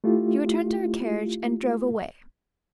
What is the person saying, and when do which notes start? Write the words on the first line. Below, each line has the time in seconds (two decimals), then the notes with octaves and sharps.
She returned to her carriage and drove away.
0.04 A3 E4 F4 G4